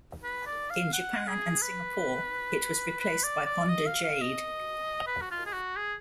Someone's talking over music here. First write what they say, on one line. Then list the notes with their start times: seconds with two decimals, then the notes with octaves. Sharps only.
In Japan and Singapore, it was replaced by Honda Jade.
0.24 B4
0.46 D5
0.70 F5
0.93 F#5
1.28 G#4
1.62 B4
3.00 B4
3.23 D5
3.46 D5
3.69 D#5
3.87 F5
4.04 F5
4.21 D#5
5.07 B4
5.21 F#4
5.31 F4
5.46 G#4
5.53 F#4
5.76 G#4